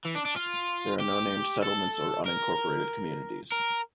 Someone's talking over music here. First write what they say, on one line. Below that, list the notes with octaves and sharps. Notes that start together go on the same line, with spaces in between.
There are no named settlements or unincorporated communities.
E3
D4
D4
F4
G4
A4
A#4
A#4